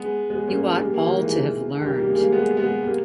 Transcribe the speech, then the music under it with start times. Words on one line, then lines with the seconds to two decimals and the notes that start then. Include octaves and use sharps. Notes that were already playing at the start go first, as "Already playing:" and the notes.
You ought all to have learned.
Already playing: G#3 B3
0.30 G#3 B3
0.48 A#3 C#4
0.70 G#3
0.80 G3 A#3
0.94 G3 A#3
1.05 D#3 G3
1.18 E3 G#3
1.31 E3 G#3
1.81 D#3 G3
1.99 G3 A#3
2.10 G#3
2.16 G3 A#3
2.32 G#3 B3
2.57 G#3 B3
2.83 G3 A#3